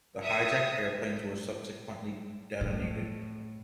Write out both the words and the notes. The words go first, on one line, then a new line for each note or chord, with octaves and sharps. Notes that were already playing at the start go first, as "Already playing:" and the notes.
The hijacked airplanes were subsequently detonated.
E5 D#6
A2